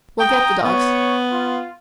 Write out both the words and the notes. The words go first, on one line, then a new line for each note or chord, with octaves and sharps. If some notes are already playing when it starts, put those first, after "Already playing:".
We'll get the dogs.
G5 A#5 D#6
B3 C#5 C#6
F4